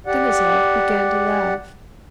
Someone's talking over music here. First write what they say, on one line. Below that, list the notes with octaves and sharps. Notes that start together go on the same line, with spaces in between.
Denisov began to laugh.
G4 D5 F#5